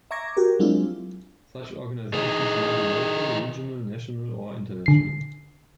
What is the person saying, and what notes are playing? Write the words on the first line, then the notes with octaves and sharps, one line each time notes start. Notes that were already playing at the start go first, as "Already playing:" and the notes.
Such organizations may be local, regional, national, or international.
E5 A#5 C#6 D6 G#6 A#6
F#4 G4 A#4
F#3 G#3 C4 D4 E4 F4
E3 D#4 G#4
D3 C7